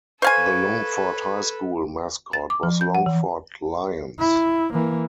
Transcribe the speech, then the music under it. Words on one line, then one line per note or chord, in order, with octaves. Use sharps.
The Longford High School mascot was Longford Lions.
A4 B4 C5 F5 G#5 C#6 G#6
A6
D6
F3
G6
F#5
E3
E4
E3 A#3